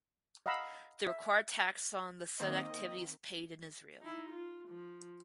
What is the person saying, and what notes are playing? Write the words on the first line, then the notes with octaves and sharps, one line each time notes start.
The required tax on the said activity is paid in Israel.
D#5 F5 F#5 A#5 B5 E6
E5
D#3 A#3 C4 D#5
D#4 E4
F4
F3